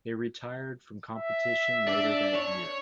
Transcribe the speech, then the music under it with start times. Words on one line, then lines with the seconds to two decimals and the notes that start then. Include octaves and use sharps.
They retired from competition later that year.
1.16 E5
1.87 D4 D5
2.35 C#5